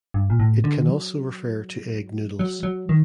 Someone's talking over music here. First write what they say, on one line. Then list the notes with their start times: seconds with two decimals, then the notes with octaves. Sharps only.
It can also refer to egg noodles.
0.14 G2
0.30 A#2
0.40 A2
0.64 D3
0.82 D#3
0.88 F#3
2.39 F#3
2.63 F#3
2.89 D#3